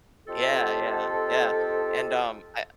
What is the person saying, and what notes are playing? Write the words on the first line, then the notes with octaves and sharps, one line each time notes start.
Yeah, yeah, yeah, and, um, I
C4 D#4 F4 G4 A4